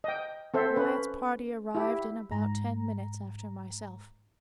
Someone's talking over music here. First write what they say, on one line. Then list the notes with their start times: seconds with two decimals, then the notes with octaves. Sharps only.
Wyatt's party arrived in about ten minutes after myself.
0.04 D#5 G5
0.54 C4 A4 C5 E5
0.76 C#4 B4
1.75 E4 G4
2.31 G#2 A#5